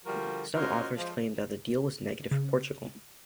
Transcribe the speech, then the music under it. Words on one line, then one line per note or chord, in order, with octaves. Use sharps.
Some authors claim that the deal was negative for Portugal.
D3 F3 G3 F#4 A#4
C#4 F4 F#4 A#4 C5 D#5
F3 G#3
C#3